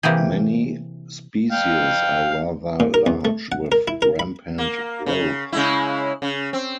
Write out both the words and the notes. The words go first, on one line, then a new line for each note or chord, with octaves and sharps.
Many species are rather large with rampant growth.
C3 E3 A#3 G4 G#4
F5 G5
A#2
A#4
E2
A3
F#5
A#4
E4
A#4
B5
A#3
C#3
C#3 G#3 E4
C#3
C4